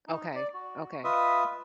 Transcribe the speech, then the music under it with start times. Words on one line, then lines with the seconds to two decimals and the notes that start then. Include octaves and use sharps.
Okay. Okay.
0.08 D#4
0.36 D5
0.54 F#4
1.04 F4 B4 D#5 E5 D#6